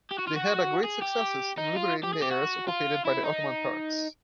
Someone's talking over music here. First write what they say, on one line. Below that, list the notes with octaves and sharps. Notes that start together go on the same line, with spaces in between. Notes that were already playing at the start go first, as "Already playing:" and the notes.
They had a great successes in liberating the areas occupied by the Ottoman Turks.
G4
F#4
F4
F#4
G#4
G4
D#4
F4
G4
G#4
G4
F#4
F4
E4
D#4